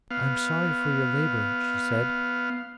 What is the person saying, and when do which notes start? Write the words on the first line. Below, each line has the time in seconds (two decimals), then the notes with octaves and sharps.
"I am sorry for your labor," she said.
0.11 B3 F5